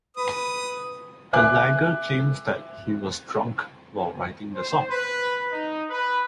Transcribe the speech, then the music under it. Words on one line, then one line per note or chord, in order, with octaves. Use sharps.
Gallagher claims that he was drunk while writing the song.
B4 D#6
E5 G#5 D6 F#6
C5
B4
D#4
B4